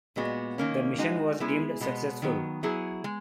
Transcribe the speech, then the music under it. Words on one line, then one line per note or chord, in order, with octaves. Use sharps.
The mission was deemed successful.
A#2 G#3 B3 F#4
D#3 A#3 C#4
G#3 D#4 F#4
G#3 B3 E4 G#4
B2 G#3 B3
D#3 F#3 B3
F#3 B3 E4 G#4
G#3